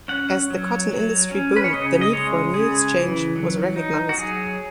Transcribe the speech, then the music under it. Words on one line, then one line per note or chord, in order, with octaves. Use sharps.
As the cotton industry boomed, the need for a new exchange was recognised.
C#4 F#5
F#3
F#3
C#4
B4
C#5
C#3 D#5
D#5
G#3 C#5
C#3 G#4
E3
F#3
D#4
F#4
F#3 G#4